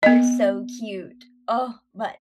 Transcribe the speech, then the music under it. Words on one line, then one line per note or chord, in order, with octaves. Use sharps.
They're so cute. Oh, but
B3 D#5